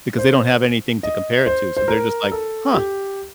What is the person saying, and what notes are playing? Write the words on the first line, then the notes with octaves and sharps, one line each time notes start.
because they don't have anything to compare it to, so they're just, like, "Huh."
C5
D#5
C5
C5
A#4
A4
G4